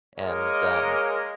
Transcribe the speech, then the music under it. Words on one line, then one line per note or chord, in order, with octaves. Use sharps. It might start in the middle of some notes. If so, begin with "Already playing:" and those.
And, um,
G#3 A#3 A#4 C#5 D#5